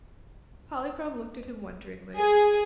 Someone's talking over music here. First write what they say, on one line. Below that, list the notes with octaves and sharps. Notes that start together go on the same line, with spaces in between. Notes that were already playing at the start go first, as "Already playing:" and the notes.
Polychrome looked at him wonderingly.
G#4